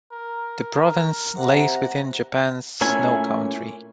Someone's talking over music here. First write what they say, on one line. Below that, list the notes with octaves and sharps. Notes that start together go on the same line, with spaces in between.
The province lays within Japan's "Snow country".
A#4
C3 F#5 A#5
A#2 A3 C#4 E4 G#5